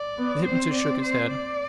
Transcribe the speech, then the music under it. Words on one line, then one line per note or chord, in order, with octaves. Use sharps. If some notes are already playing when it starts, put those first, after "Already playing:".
The hypnotist shook his head.
Already playing: D5
B3
C4 C5
D5
C5
D5